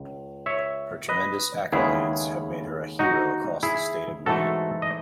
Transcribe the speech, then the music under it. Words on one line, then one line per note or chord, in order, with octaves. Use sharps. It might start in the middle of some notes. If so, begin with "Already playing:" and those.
Her tremendous accolades have made her a hero across the state of Maine.
Already playing: C#2
C#5 E5
B4 D#5
D#2 C#3 G#3 B3 E4 G#4
D#4 F#4
E4 G#4
G#2 E3 A3 F#4 A4
D#5